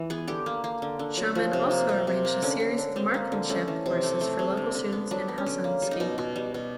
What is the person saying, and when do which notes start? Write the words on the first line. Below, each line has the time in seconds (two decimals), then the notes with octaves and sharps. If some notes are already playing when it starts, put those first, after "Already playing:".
Schauman also arranged a series of marksmanship courses for local students in Helsinki.
Already playing: E3
0.10 B3 G#4
0.28 D3 G4
0.46 A#3
0.64 A#3
0.82 D3
0.99 D3
1.17 F#3
1.35 F3 F#4
1.53 C3
1.71 A#3
1.89 C3
2.07 C3
2.25 A#3
2.42 D3 C#4
2.60 D3
2.78 D3
2.96 G3 C4
3.14 A#3
3.32 D3
3.50 A3 C#4
3.68 E3
3.86 C3
4.03 A3
4.21 A3
4.39 C3
4.57 D3
4.75 D3
4.92 B3
5.11 F#3 D4
5.29 B3
5.38 C#4
5.46 D3
5.64 A#3
5.82 G3
5.91 D#4
6.00 B2
6.18 B2
6.36 G3
6.54 B2